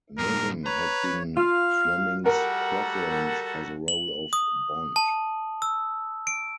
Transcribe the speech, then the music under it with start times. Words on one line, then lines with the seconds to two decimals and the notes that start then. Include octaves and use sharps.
Niven had been Fleming's preference for the role of Bond.
0.18 G2 A#2 A#4
0.66 B4 C#5 A#5
1.37 F4 F5 F6
2.26 G3 F#4 A4 A#4 F#5
3.88 F#7
4.33 D#6
4.96 A5
5.62 E6
6.27 D7